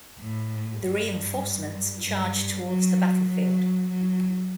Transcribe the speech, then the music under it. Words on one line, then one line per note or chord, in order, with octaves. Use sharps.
The reinforcements charge towards the battlefield.
A2
G2
G2
F#3
F#3
F#3